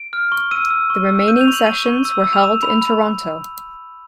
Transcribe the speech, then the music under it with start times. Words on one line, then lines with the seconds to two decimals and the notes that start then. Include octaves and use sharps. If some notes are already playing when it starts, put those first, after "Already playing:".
The remaining sessions were held in Toronto.
Already playing: D7
0.13 F6
0.32 C#6
0.51 E6 D#7
0.70 E6
0.90 C#6
1.09 E6
1.28 G6 D#7
1.41 F7
1.47 C#6
1.54 F#7
1.66 C#6 D#7
1.86 C#6
2.05 E6
2.24 E6
2.33 F7
2.43 E6 E7
2.63 B5 F7
2.82 B5